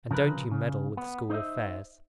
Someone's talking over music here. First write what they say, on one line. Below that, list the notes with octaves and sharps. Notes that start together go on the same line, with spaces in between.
And don't you meddle with school affairs.
C#3 F3 A#4 B4
C#3
B3
D#4 C5 C#5 D#5 E5